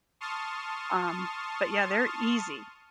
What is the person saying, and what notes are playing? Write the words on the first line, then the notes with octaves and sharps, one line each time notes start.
um, but yeah, they're easy,
A5 C6 C#6 D#6 F6